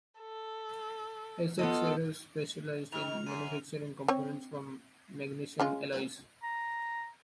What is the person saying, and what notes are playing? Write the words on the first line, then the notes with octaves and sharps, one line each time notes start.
Essex Aero specialised in manufacturing components from magnesium alloys.
A4
B3 F4 A4 D#5
D#3 F6 F7
F#2 D#7
C4 C#5
C#3 G#3 F4
A#5